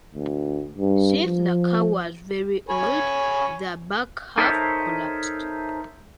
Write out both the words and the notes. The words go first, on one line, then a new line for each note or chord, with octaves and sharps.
Since the car was very old, the back half collapsed.
D2
G2
F3
C#5 G#5 B5
D#4 A4 A#4 C5 C#5 E5